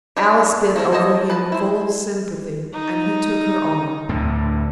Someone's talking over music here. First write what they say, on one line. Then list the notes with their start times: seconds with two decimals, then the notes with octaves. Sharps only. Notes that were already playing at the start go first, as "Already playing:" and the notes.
Alice bent over him full of sympathy, and he took her arm.
0.17 G#3 D4 D#4 G4 C#5
0.76 F3 A3 C#4 A#4
0.92 A4 C5 C#5 D#5
1.30 B4 A5
1.52 E4 C5
2.73 D#4
4.09 D2 A2 D3